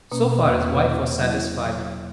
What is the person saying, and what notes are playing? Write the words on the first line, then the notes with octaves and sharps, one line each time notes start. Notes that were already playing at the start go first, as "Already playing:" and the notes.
So far his wife was satisfied.
B2 A#3 C#4
E2
B2 A#3 C#4
B2
F#3 A#3 E4